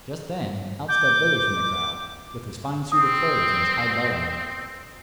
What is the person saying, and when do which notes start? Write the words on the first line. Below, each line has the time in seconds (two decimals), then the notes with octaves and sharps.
Just then, out stepped Billy from the crowd, with his fine suit of clothes and his hide belt on him.
0.88 D6 G6
2.92 C4 D#6